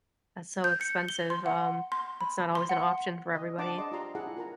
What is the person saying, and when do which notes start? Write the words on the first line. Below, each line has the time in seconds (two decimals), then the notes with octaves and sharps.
that's so expensive, um, it's not always an option for everybody.
0.64 G6
0.81 C#7
1.08 G7
1.30 C6
1.46 F#5
1.92 C6
2.21 B5
2.55 C6
2.69 F#5
3.35 D#5
3.58 D4 D5 F#5 A5 C6 D6
3.78 G#4 D5 D#5 C6
3.92 F4 G4 D5 F5 A#5 C6
4.15 E4 G#4 E5 F#5 A5
4.37 F4 A#4 A#5